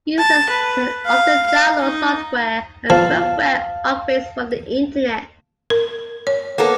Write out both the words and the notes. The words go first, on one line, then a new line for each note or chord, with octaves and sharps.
Users can often download software and firmware upgrades from the Internet.
A5
B4
F5
F5
D#4
F3 F5 A5
A#4
C#5
A#3 B3 A4